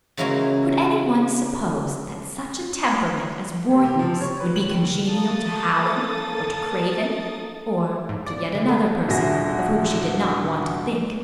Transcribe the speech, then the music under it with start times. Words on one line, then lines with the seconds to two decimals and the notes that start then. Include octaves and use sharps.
Could any one suppose that such a temperament as Wharton's would be congenial to Hallin or to Craven--or--to yet another person, of whom she did not want to think?
0.17 C#3 E3 F#3 G#3 A#3 F#4
3.71 C3
3.84 G4
3.99 F3
4.21 C#5
4.40 B4
4.56 F#7
4.70 D#2
5.08 A#3 A4 D#6 A6
8.09 G#2
8.27 D5
8.55 D3
8.68 A4
9.08 D#1 B2 D3 G#4 E5 A#6